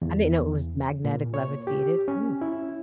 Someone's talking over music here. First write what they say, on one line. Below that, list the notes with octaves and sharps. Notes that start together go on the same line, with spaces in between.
I didn't know it was magnetic levitated, mm.
E2
A#2
C#5
G4
C#4
E4